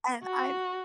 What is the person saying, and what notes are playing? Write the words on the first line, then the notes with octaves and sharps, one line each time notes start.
And I'm
F#4